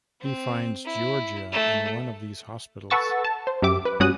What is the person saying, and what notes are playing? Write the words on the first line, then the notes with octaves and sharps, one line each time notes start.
He finds Giorgia in one of these hospitals.
C4
E4
A3
A4 B4 F#5 C#6 E6 A6
A5
C5
F#2 G4 E5 D6
B4
G2 G3 C#4 F#4 D#6 F#6